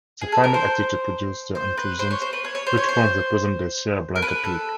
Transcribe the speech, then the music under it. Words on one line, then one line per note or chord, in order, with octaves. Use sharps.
The final activity produced the intrusions which form the present-day Sierra Blanca Peak.
G#4
A4
A#4
C5
C5
B4
C5
C#5
C5
B4
C#5
C#5
C5
C#5
C5
A#4
B4
A4